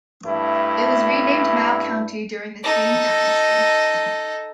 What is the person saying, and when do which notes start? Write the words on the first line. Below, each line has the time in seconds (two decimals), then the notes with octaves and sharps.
It was renamed Mao county during the Tang Dynasty.
0.24 G2 A3 E4
2.64 D#4 A4